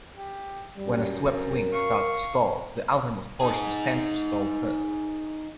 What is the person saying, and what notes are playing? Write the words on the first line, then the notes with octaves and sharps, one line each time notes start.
When a swept wing starts to stall, the outermost portions tend to stall first.
G4
F#2 G3
A#4
F5 C#6
D#4 G#4